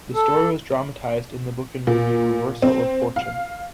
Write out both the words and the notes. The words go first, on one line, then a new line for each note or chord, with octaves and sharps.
The story was dramatized in the book and movie, "Reversal of Fortune".
A4
A#2
C4
F5